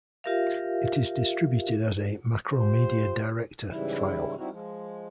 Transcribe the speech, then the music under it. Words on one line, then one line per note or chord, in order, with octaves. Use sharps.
It is distributed as a Macromedia Director file.
F4 G4 A#4 E5 F5
F4 G4 C5
G#2 C#3 E3 G3 E4
G3 C4 D#4 E4 F#4
F3 G#3